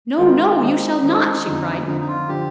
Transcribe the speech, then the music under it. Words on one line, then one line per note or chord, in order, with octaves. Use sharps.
"No, no; you shall not!" she cried.
D#3 G#3 C4 F4
D#3 G#3 C4 D#4
D#3 G#3 C4 D#4
F2 D3 F3
F2 D3 F3 D#4
D#4
F4
D3 F3 G4